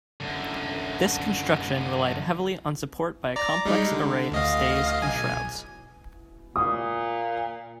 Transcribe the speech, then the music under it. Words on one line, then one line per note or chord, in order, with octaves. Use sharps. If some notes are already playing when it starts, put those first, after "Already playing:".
This construction relied heavily on support by a complex array of stays and shrouds.
F#2 D3
D5 A#5
G3 G#3 D#4
D3
D2 D#5 F5
B1 G#5
A#2 D#6